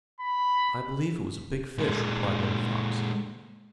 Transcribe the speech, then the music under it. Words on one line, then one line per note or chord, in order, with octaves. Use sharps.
"I believe it was a big fish," replied Running Fox.
B5
A#2 G#3